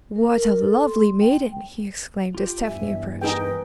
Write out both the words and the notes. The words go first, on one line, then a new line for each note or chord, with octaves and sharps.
'What a lovely maiden!' he exclaimed, as Tephany approached.
A#4
A#4
A4
C6
G5
F4 G4
E2 G2 E5 G#5
D#4 G#4 B4 G5